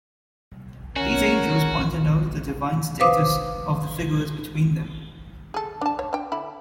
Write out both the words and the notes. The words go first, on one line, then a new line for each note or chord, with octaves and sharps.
These angels pointed out the divine status of the figures between them.
C#4 F#4 A#4 C#5
B4 C5 F5 D6 D#6
G#4 A4
D4 A5
C#5
D4 G5
D3 E4 B5